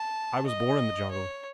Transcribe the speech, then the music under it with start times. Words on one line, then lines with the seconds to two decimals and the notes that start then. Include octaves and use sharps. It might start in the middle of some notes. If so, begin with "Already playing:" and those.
I was born in the jungle.
Already playing: A5
0.46 D#5
1.11 C#5